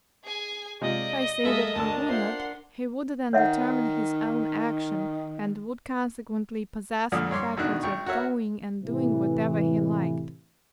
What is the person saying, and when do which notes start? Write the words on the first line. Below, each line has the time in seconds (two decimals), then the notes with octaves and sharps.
If I say that he would not, he would then determine his own action, and would consequently possess the faculty of going and doing whatever he liked.
0.24 G#4 G#5
0.81 C3 G#3 F4 D5 D#5
1.44 G#3 A#3 A4 E5 D#6
1.76 D2 D4 A#4 A5 E6
2.09 F4 C5 E5 F#5 C6
3.33 D#3 C#5 E5 F#5
7.12 F2 A#2 D3 D#6 F6
7.31 G2 C#5 C6 D6
7.57 A1 B2 D#3 D4 F#6
7.83 G#1 G5 C#6
8.06 F#4 A#4 C#5 E5
8.82 A2 C3 E3